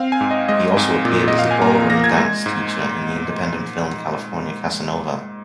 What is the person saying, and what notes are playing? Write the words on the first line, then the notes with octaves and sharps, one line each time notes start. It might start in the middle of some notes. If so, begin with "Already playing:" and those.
He also appeared as a ballroom dance teacher in the independent film "California Casanova".
Already playing: C4 F5
G#5
G#2
D#5
G#3 D#5
G#2
A#2
D#5
A#2
F5
G#5
A#3 A#5
A#5
A#3 A#6
G#6
G#3
G#2